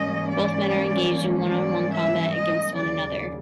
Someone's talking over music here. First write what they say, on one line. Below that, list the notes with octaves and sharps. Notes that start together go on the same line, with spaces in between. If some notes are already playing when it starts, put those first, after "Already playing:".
Both men are engaged in one-on-one combat against one another.
Already playing: G#2 E3 G3 A#3 C#4 D#5
D5
D5
E5
D#5
D#2 C#3 F#3 D5